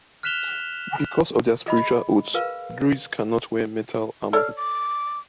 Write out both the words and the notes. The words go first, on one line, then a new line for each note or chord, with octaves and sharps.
Because of their spiritual oaths, druids cannot wear metal armor.
F6 F#6 B6 E7 F7 G7
G#4 D#5 B5
G#4 A#4 B4 F5
A4 C#5 D5 F6
D6